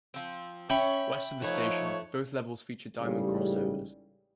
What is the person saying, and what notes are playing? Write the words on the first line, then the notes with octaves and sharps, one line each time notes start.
West of the station, both levels feature diamond crossovers.
F3 C4
C#4 C#5 E5 G5 B5
F3 A3 D#4 B4 C#5
A1 G#2 C#3 G3